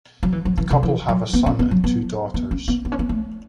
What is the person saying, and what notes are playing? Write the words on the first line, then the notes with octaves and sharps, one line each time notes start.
The couple have a son and two daughters.
F#3
E3
F#3
E3
C#3
E3
F#3
B3
C#4
B3
F#3
B3
B3
C#4
B3
B3
C#4
B3
A3